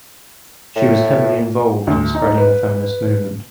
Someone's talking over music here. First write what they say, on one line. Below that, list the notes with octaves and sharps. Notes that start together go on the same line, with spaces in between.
She was heavily involved in spreading the feminist movement.
A2
D2
D#4
B4